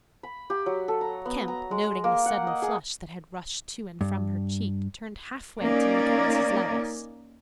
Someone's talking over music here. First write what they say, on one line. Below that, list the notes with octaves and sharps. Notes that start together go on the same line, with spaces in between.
Kemp, noting the sudden flush that had rushed to and from her cheek, turned halfway to look at Mrs. Levice.
B5
G4
F#3
A4
A#5
B3
A#5
G#3
A#3
F#5
D#5
G#4
G2
A#3 C#4 D#4 D5